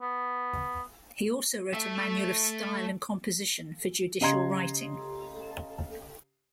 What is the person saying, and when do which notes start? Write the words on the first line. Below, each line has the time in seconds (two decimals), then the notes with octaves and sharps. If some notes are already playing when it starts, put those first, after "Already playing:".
He also wrote a manual of style and composition for judicial writing.
0.02 B3
1.73 A3 E5
4.21 C#3 G4 D#5 A#5 C6 G#6